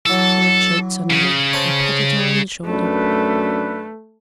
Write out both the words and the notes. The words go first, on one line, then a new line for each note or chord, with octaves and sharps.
Hale choked suddenly and patted her on the shoulder.
E3 F#3 A4
C#3
C5 C#5 A5
F#2 A3 D4 B4